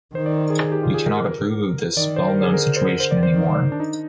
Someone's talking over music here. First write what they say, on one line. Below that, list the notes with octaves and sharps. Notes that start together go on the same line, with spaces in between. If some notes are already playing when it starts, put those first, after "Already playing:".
We cannot approve of this well-known situation anymore.
D#3 C5
D5
C5
G#4
G#4
G4
F4
G#4
A#4
D#3 D5
C5
A#4
D3 G#4
A#4
C5
D3 A#4
C5
D5
C5
D#3
D4
D#4